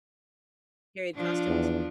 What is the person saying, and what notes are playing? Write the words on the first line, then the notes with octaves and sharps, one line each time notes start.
period costumes?
F3 D4
E2